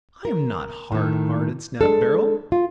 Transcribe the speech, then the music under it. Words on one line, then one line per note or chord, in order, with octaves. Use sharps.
"I am not hard-hearted," snapped Beryl.
A#4
A2 D#3
G#3 D4 A4
F4